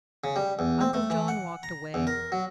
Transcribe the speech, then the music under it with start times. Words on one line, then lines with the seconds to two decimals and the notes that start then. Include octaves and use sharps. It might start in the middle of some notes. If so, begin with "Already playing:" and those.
Uncle John walked away.
0.24 C#3
0.36 G3
0.59 E2
0.81 C4
0.94 A3
1.10 E3
1.28 F#5
1.63 A#5
1.94 E2
2.07 A#4
2.32 F#3